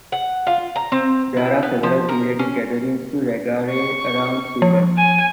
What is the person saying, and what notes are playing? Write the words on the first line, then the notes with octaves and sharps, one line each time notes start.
There are several periodic gatherings for raggare around Sweden.
F#5
F4
A#5
C4
E4
B3
F3
A#4
C#4
C#6
F3
G#5